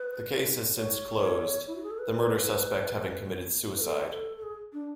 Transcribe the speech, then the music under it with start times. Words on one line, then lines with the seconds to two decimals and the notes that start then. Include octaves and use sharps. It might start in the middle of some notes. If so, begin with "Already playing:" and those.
The case has since closed, the murder suspect having committed suicide.
Already playing: B4
0.76 C#5
1.68 E4
1.76 F#4
1.83 G#4
1.91 A4
1.99 B4
3.77 B4
3.81 A4
4.12 A4
4.37 A4
4.43 G#4
4.73 D4